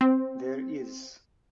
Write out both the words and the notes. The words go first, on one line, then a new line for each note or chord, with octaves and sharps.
There is.
C4